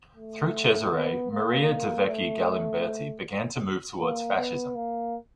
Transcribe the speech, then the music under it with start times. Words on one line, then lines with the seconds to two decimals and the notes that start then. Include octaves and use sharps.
Through Cesare Maria De Vecchi Galimberti began to move towards Fascism.
0.17 A3
0.93 B3
1.31 A#3
2.08 A3
3.99 A#3
4.37 B3
4.76 A#3